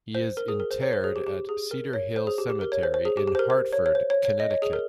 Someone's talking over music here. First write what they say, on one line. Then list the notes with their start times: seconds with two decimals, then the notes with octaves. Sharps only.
He is interred at Cedar Hill Cemetery in Hartford, Connecticut.
0.15 C5
0.37 A#4
0.48 G#4
0.60 A#4
0.71 C5
0.82 C#5
0.93 C5
1.04 G#4
1.16 G4
1.27 G4
1.49 G#4
1.71 A#4
1.93 C#5
2.16 C5
2.27 G#4
2.38 G4
2.50 G4
2.61 A#4
2.72 C#5
2.83 C5
2.94 C5
3.05 G#4
3.17 G4
3.27 G4
3.35 C5
3.39 A#4
3.50 C5
3.73 C#5
3.86 C#5
3.95 C5
4.10 C#5
4.25 C#5
4.40 D#5
4.51 C#5
4.62 G#4
4.73 A#4